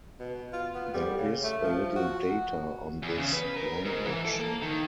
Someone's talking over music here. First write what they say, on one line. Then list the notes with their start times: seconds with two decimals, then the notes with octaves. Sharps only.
There is little data on this language.
0.20 B2
0.53 F4
0.75 B3
0.94 G3
1.18 C#3
1.44 A3
1.63 F3
1.96 F#4
3.03 E2
3.17 C#3
3.33 B4
3.56 A#4
3.85 G#2
4.06 E3
4.25 A4
4.39 A#3
4.62 D#3